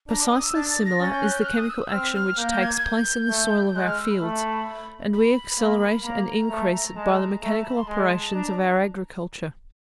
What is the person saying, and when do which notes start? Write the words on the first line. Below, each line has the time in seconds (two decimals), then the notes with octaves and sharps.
Precisely similar is the chemical action which takes place in the soil of our fields; and we accelerate and increase it by the mechanical operations of our agriculture.
0.09 D4 A#5
0.20 D6
0.32 D#6
0.43 E6
0.54 D4 A6
0.69 A6
0.85 A#6
1.00 C#4 A6
1.12 G6
1.23 F#6
1.35 G6
1.41 F6
1.46 F#6
1.58 D#6
1.69 E6
1.92 C4 F6
2.15 F6
2.38 A#3 G6
2.52 G6
2.61 G#6
2.76 G#6
2.84 G6
3.29 A3
3.75 G#3 F#6
3.86 F6
3.99 E6
4.10 B5
4.21 A3
5.13 B5
5.59 A#3
6.04 A#3 A#5
6.50 A3
6.96 G#3 A5
7.19 A#5
7.42 A3 A#5
7.54 A5
7.65 B5
7.76 C6
7.87 G#3 G#5
8.11 A5
8.33 D4 A#5